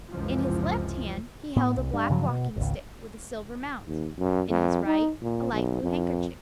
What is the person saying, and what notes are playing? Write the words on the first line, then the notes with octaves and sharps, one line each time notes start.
In his left hand he held a black walking-stick with a silver mount, in his right a light blue handkerchief.
C#2 F#2 C3 E3 F3 G#3
A2 B3
C2
G2
G2 C#3 F3 F#3
B2
G#1 C#2
D#2
F#2
F2
D#4
A#2
B1
F2